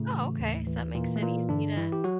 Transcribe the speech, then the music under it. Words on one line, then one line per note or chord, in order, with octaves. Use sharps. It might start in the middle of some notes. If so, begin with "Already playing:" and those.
Oh, okay. So, that makes it easy to
Already playing: A2 C#3 A3
E3
D#2
E3
A#2 E3 A#3
A3
A#2 E3 A#3
G2 D3 D4
E3 E4
G4
F#3 F#4